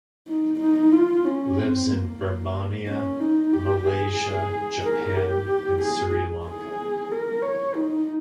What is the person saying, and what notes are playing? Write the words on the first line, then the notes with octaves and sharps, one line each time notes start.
Lives in Birmania, Malaysia, Japan and Sri Lanka.
D#4
D#4
F4
C#4
C4
A#3
C#4
D#4
G4
G#4
A#4
G4
G#4
G#4
A#4
C#5
D#4